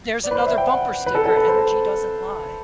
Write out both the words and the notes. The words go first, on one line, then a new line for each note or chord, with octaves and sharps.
There's another bumper sticker. Energy doesn't lie.
D5
B4
C5
E5
G5
F#5
B4
A4
A4
B4
C5